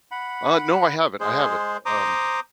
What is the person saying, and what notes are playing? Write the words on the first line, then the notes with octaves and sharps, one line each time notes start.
Uh, no, I haven't, I haven't, um
F#5 B5
G#3 G#4 C5
C5 A#5 D6 D#6